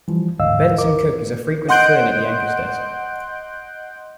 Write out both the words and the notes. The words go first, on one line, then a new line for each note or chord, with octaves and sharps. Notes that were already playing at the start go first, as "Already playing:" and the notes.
Benson Cook is a frequent fill-in at the anchor's desk.
E3 F3 G3
D#2 G#2 D3 D#5 F5 E6
A#4 D6
D#5 F#5 C6 F#6 G6 D7